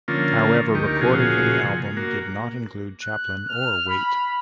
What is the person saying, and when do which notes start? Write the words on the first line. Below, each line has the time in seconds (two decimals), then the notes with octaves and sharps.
However, recording for the album did not include Chaplin or Waite.
0.08 D3 F3 A#3 C#4 F4
0.75 D2 D#4 G4 A#4 C#6
1.01 A#2 C#3 F3 F4 F#4 G#4
1.97 A#3 F#4
3.02 F#6
3.48 F6
3.88 B5